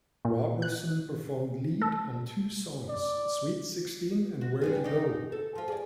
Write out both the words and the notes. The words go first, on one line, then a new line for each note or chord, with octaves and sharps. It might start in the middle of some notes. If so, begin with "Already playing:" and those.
Roberson performed lead on two songs: "Sweet Sixteen" and "Where'd You Go".
A#2
F#6
A4
D5
F#4
G3 B3 G#4
C#3 D#4 D5
A4
F3 F4
G#4 D5